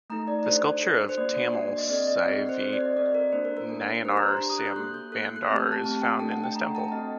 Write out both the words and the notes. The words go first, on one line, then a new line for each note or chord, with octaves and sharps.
The sculpture of Tamil Saivite Nayanar Sambandar is found in this temple.
A3 D#4 A4 A#5
D5
D4 F#4 A4 C5
D4 F#4 A4
C5
A#3 D4 F#4 D5
A#3 D4 F#4
D#5
C4 F#4 A4 D5
D#5
C4 F#4 A4
C5
C4 F#4 A4 C5
D5
D#5
C4 F#4 A4 D5
A#4
A#3 D4 A4 C5
A#4
A#4
A#3 D4 A4
D4 G4 C5
A#5
C6
A#5
D4 G4 C6
D#6
F#6
G6
A#3 F#4 A4 F#6
G6
A#3 F#4 A4 F#6
G6
F#6
A3 C4 G4
A5
A5
A3 C4 G4 A5
G5
A3 D4 A4 A5
F#5
G5
A3 D4 A4 A#5
A5
G5
C4 F#4 A4 D#5